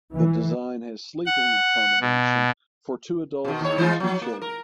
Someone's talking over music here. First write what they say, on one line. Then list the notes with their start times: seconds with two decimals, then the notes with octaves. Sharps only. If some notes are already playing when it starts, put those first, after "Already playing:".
The design has sleeping accommodation for two adults and two children.
0.14 E3
1.26 F#5
2.01 B2
3.44 B2 D#3
3.61 D#2 C#5
3.78 E3 G#3 F4
4.00 F3 F#3
4.21 A#3
4.42 A#4